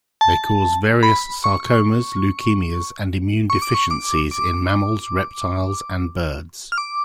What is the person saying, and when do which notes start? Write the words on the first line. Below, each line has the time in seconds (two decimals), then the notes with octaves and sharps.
They cause various sarcomas, leukemias and immune deficiencies in mammals, reptiles and birds.
0.21 A5
1.03 B5
1.44 C#6
3.50 C#6
3.62 D6
3.75 C#6
3.91 D6
4.31 D6
6.72 F6
6.78 D6